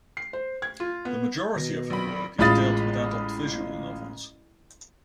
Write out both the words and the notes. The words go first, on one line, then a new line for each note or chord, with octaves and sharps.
The majority of her work is dealt with adult visual novels.
C7
C5
G#6
F4
B3
B2 D#3 A#6
A#1 F#3 C4 B5
A1 G#3 F4 B5 D#6 A6